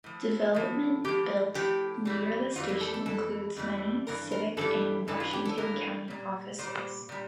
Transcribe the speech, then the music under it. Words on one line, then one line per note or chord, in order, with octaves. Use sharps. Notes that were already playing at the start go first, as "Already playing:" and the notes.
Development built near the station includes many civic and Washington County offices.
A2 F3
A2 F3
A2 F3 G4
A2 F3 G4
F2 E3 G3
F2 E3 G3 F4
A#3
A4
A4
F2 E3 A4
F2 E3 G3
G2 E3 A#4
A#4
G2 E3 G3 A4
G2 E3 A4
F4
G4
A4
G2 E3 A#4
A#2 G3
A#2 G3 C5
A#2 G3